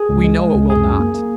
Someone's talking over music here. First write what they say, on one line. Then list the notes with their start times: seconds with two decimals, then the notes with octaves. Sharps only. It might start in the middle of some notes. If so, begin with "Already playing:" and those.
We know it will not.
Already playing: G#4
0.09 C#2
0.24 G#3
0.39 G#3
0.54 C#2
0.69 F#2 G#4
0.85 F#2
1.00 A#3
1.15 A#3